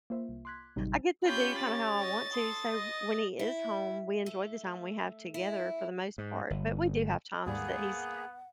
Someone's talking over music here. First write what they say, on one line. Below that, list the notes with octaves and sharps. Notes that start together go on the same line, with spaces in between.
I get to do kinda how I want to, so when he is home, we enjoy the time we have together for the most part, but we do have times that he's
A#3 F4 C5 E5
C2
C6 D6 F#6 G#6 B6
A1 C3 F#3 G3 D#4
C#4 F4 G4 C#5 B5 G6
C#5 A6
C#5 D#5
A4 C6 D#6
D#5
E4
A3
E4
G#2
G1
D#2 G#2 G3 A#3 B3 G#4 F#5